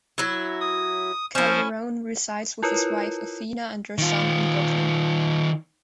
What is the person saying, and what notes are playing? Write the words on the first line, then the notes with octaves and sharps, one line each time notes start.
Calderone resides with his wife Athena, and their son in Brooklyn.
F#3 E4
D#6
F3 C#4 E4 C5
E4 F4 A#4 B4 C#5
D#3 F4